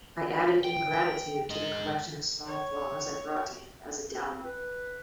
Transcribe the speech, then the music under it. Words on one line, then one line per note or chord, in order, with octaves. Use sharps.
I added ingratitude to the collection of small flaws I brought to him as a dowry.
G5
G#2 D#5
C#5
C4
B4